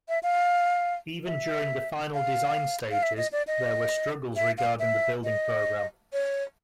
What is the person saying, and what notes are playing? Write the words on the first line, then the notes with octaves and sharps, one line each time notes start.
Even during the final design stages there were struggles regarding the building program.
E5
F5
E5
F5
F5
E5
D#5
D5
D#5
E5
F5
E5
D#5
C#5